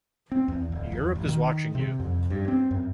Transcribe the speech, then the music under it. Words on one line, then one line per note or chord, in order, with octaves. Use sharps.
Europe is watching you.
C4
E2
D1
E2
A1
D#3
C3
F2
G2
C4
F#2